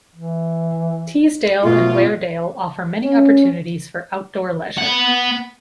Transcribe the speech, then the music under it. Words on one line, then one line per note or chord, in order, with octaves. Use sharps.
Teesdale and Weardale offer many opportunities for outdoor leisure.
E3
B2 A3 F4
C#4
B3 F#5